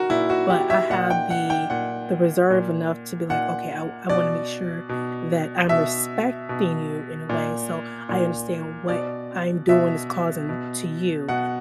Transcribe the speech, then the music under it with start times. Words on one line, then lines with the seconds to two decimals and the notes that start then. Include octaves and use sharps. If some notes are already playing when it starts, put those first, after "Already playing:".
but I have the the reserve enough to be like, "Okay, I w I wanna make sure that I'm respecting you, in a way, so I understand what I'm doing is causing, to you."
Already playing: F#4 A#4
0.10 A#2 E4
0.30 F#4
0.50 G4
0.70 E5
0.90 A#2 F#5
1.10 G5
1.30 F#5
1.50 G5
1.70 A#2 F#5
2.50 A#2
3.30 A#2 F#5
4.09 B2 D5
4.89 B2
5.69 B2 E5
6.49 B2
7.29 A#2
8.09 A#2
8.89 B2 D5
9.69 B2 E5
10.49 B2
11.29 B2 F#5